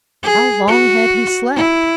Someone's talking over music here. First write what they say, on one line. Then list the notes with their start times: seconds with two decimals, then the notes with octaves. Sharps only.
How long had he slept?
0.23 G#4
0.68 F#4
1.56 E4